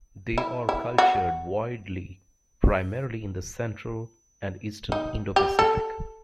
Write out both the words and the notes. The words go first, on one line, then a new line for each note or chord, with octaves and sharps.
They are cultured widely primarily in the central and eastern Indo-Pacific.
E4
E4
F#4
D#4
G4
A4